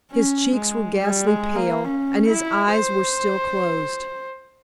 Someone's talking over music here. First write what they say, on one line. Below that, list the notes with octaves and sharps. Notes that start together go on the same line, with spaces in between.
His cheeks were ghastly pale, and his eyes were still closed.
C#4
G#3
G3
G#3
A#3
C#4
E4
C5